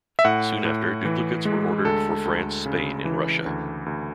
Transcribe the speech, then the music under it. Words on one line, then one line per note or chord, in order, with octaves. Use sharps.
Soon after, duplicates were ordered for France, Spain and Russia.
E5
A2 F#5
A2
E3
G#3
D2 A4
D2
C#3
E3
D2
D2